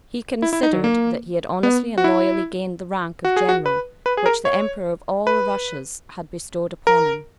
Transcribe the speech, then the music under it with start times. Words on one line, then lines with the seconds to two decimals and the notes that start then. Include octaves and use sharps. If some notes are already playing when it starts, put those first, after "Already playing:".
He considered that he had honestly and loyally gained the rank of general which the Emperor of all the Russias had bestowed upon him.
0.42 E4
0.53 E4
0.63 D#4
0.73 F#3
0.84 A#3
1.63 B3
1.98 F#4
2.04 E4
3.25 F#4
3.37 G#4
3.49 F#4
3.66 B4
4.06 B4
4.17 G#4
4.26 A#4
4.45 C#5
5.27 B4
6.87 A#4